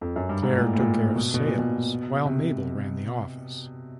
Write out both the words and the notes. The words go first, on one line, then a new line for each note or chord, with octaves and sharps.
Clair took care of sales while Mabel ran the office.
F2
F#2
G2
G#2
A#2
A2
A2
A#2
B2
B2
A#2
B2
C3